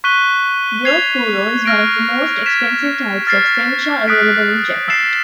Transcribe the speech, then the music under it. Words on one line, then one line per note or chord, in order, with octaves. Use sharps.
Gyokuro is one of the most expensive types of sencha available in Japan.
C#6 F#6 B6 D#7 G7
G#6 C7 F7
F6 A#6 D7
G#6 B6 E7
F6 A6 C7
D#6 F#6 B6 D7
E6 A6 C7 E7